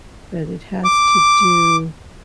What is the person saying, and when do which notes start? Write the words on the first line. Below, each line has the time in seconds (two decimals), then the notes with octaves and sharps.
But it has to do
0.84 D6